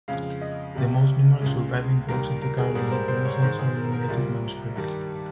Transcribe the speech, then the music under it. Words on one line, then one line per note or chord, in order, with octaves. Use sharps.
The most numerous surviving works of the Carolingian renaissance are illuminated manuscripts.
F2 C#3 G#3 F5
D#5
C2 C3 G3
C#2 C#3 G#3
D#2 D#3 G3 A#4
A#4
G#4
G#2 G3 G#4
A#4
C5
C5
C#5
G#2 D#3 G#3 C5
G#4
A#4
A#4
C2 A#2 G3
G2 D#3 G3